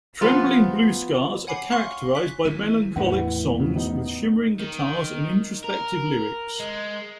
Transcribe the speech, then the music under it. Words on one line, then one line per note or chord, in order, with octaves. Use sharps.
Trembling Blue Stars are characterized by melancholic songs with shimmering guitars and introspective lyrics.
F3 B3 F4
C#5 F#5 G#5 B5 D6 C7
F5 C6 C#6 F6
F#6 B6
D#3 E3 D#7
E2 A2 E4 B4 F#5
C#3 E3
B3 D#4
D#3
A#4
G#3